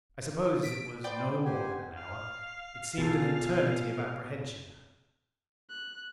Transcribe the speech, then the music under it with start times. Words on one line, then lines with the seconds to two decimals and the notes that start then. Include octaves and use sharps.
I suppose it was no more than an hour: It seemed an eternity of apprehension.
0.63 B6 D7
1.04 B3 C5 D5 G5
1.45 G4 C5 F#5 G#5
1.97 F5
2.98 B2 F4 G#4 A4
5.70 F#6